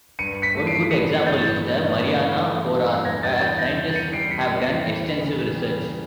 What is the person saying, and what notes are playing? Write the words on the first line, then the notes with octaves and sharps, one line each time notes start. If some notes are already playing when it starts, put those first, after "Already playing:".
One good example is the Mariana forearc, where scientists have done extensive research.
G2 C#7 D#7
B6 C#7
A3
C7 D7
E3 C#7 D#7
G2 G6 A6
G2
A3
E3
G2
E2 G#6 A#6
G6 A6
E3 G6 A6
G#6 A#6
C#3 G6 A6
C#7 D#7
G3 C7 D7
B6 C#7
E2
E3
C#3
G3